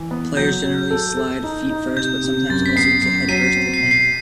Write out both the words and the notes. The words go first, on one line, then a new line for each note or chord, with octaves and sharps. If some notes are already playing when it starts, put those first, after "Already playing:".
Players generally slide feet-first but sometimes also use a head-first technique.
Already playing: E3
B3
F#3 G6
F#3
A4
A4
D#4
D#4
C3 G6
C3
F#2 A6
B6
B3 C7
F#2 C7
F#3 B6 D#7
C4
C7
B2
C7